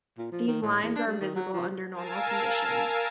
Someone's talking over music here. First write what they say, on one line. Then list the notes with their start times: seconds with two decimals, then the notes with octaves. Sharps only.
These lines are invisible under normal conditions.
0.18 A#2
0.32 F3
0.48 D#3
0.62 A2
0.82 E2
0.96 D4
1.07 G3
1.21 D#3
1.36 F#3
1.54 F3
1.92 A#4 F5 G#5 A5 E6